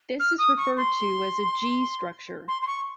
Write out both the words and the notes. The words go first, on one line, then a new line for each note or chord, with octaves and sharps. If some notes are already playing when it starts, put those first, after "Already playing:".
This is referred to as a G-structure.
F6
D#6
C#6
C6
C6
C6
C#6